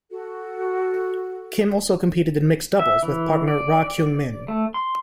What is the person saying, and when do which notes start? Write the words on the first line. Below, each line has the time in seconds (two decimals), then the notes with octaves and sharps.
Kim also competed in mixed doubles with partner Ra Kyung-min.
0.11 F#4 A4
2.79 E5
3.03 E3
3.48 D5
4.48 A3
4.74 C6